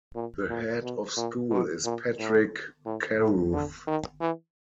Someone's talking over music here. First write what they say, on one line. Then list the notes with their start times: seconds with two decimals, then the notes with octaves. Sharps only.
The head of school is Patrick Carruth.
0.15 A#2
0.49 A#2
0.83 B2
1.17 A#2
1.51 B2
1.84 A#2
2.18 A2
2.85 A2
3.19 A2
3.53 D3
3.87 D#3
4.20 E3